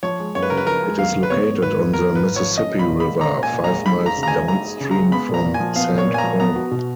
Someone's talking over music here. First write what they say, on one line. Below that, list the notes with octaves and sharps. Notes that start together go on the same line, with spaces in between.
It is located on the Mississippi River, five miles downstream from Saint Paul.
F3 C#5
G#3
F#2 C#5
B4
C#3 A#4
B4
F3 A#4
G#3
F#2 F5
C#3
B4
B3 C#5
G#2
G#2 B4
F3
B3 A#4
G#2
B4
G#2
C#5
F3
C#4 D#5
A#2
B5
A#2
B5
G#3
C#4 A#5
A#2
G#5
A#2
A#5
G#3
D#4 B5
G#4 A#5
C#3
A#5
G#3 G#5
D#4 A#5
G#4
C#3
A#5
G#3
B3 B5
A#2
A#5
A#2
G#5
F3
B3 F5
A#2
C#5
A#2
G#5
A#5
F3
B3 A#5
F#4
B2